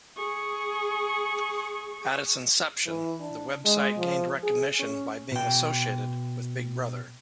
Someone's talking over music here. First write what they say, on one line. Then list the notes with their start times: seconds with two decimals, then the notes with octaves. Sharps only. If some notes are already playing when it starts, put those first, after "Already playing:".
At its inception, the website gained recognition by being associated with Big Brother.
0.16 G#4 C#6
2.87 E3
3.20 D4
3.65 G#3
3.98 F3
4.43 G#4
4.80 C#4
5.32 B2 G5